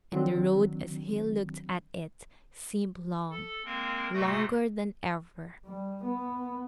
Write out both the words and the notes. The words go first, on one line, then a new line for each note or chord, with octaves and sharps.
And the road, as he looked at it, seemed long--longer than ever.
D3 D#3 F#3 C4 D4
A4
G#3 A#3 C4 A#4
G#2 C3 A3 F#4 D#6 A#6
G3
B3